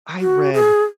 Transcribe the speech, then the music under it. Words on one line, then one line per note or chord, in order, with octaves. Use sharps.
I read
F#4
G#4